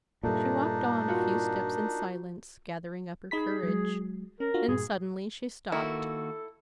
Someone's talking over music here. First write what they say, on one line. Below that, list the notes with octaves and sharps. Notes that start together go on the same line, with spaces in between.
She walked on a few steps in silence, gathering up her courage; then suddenly she stopped.
G2 A#2 A3 D4 D#4
A#3 F4 F#4
D#4 G#4 B5 B6
F#3 G#3
C#4 A#4
D4 F4 F#4
G2 A#2 G#4
D#3 A#3 E4 F#4 A4